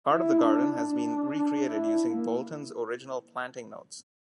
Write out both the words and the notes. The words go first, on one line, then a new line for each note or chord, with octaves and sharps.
Part of the garden has been recreated using Boulton's original planting notes.
E4
D4
D4
D4
E4
A#3